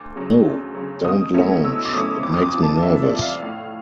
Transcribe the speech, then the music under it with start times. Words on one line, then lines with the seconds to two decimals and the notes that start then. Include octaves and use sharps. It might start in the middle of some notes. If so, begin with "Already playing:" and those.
No, don't lounge, it makes me nervous.
Already playing: D2 D6
0.16 C#3 F#3
0.45 D2
0.75 C#3 F#3
1.05 B2 D#6
1.34 F#3 A3 C#4 E4
1.64 B2 E6
1.85 D6
1.93 F#3 A3 C#4 E4 D#6
2.23 F2 D6
2.34 D#6
2.42 D6
2.53 C3 F3
2.63 A5
2.82 F2 E5
3.03 D5
3.12 C3 F3
3.22 F5
3.42 A2 F5